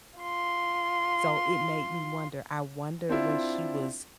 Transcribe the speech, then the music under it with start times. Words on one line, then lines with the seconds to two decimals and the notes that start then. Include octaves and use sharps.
so it made me wonder. I wonder when she was
0.19 F4 C6
3.09 C4 D4 E4 F4